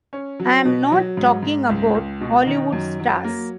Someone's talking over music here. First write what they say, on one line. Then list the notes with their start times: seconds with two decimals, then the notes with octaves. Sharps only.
I'm not talking about Hollywood stars.
0.13 C#4
0.40 F#3
0.65 B2
0.92 F#3
1.17 G#2
1.43 G#2
1.70 C#2
1.95 C#2
2.21 B2
2.47 D#3
2.73 F#2
3.00 F#3
3.24 A#3